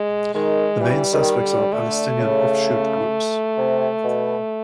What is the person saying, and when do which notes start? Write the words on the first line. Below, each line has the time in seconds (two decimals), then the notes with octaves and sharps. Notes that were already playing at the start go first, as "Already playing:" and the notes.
The main suspects are Palestinian offshoot groups.
Already playing: G#3
0.35 D#3 G#3
0.81 E3 G3
1.12 D#3
1.43 D3
1.73 D3 A3
2.19 C#3
3.57 C3
4.03 B2